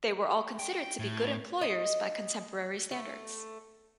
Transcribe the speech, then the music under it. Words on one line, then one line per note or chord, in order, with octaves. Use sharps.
They were all considered to be good employers by contemporary standards.
G5
A2
D#5
A3